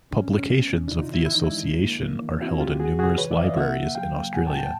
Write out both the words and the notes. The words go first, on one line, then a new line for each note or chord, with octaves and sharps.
Publications of the association are held in numerous libraries in Australia.
A2 D4
C#4
G#3
C#4
B3
A#2
C3 D4 E4
D#4 F4
D#3
E4 F#4
E3 E4
D#4
G#3 D4 E4
D3
A#3
A#3
E3
C4 E4 F#4
B2 F4 G4
G3 F#4 G#4
C3 F#4 G#4
E3 B4 C#5
D5 E5
E3
D#5 F5
A#3 E5 F#5
C#3
F#3 F5 G5
A#3
A2 F#5 G#5
G5 A5
A2
G5 A5